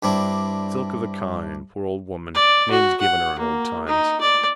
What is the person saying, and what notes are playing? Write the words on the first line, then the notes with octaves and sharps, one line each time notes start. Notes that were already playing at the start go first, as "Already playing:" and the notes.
Silk of the kine and poor old woman, names given her in old times.
G2 C4 D4 E4
D5
F#4
F#5
A#3
D#4
D5